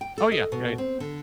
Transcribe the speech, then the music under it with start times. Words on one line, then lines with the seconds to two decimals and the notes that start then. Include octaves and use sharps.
Oh, yeah, yeah.
0.01 G5
0.18 A4
0.32 D#5
0.52 B2
0.78 C4
1.00 D3